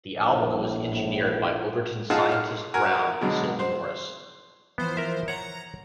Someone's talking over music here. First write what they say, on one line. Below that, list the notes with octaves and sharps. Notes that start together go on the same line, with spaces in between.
The album was engineered by Overton "Scientist" Brown and Sylvan Morris.
A#1 A2
D#4 F4 G#4 F#5 A5
F6
F#4 A#4 G#5 F6
B2 D3 F#3 G#3
C5
E3 F3 B3 C5
A#4 E5
C#5 F#5 A#5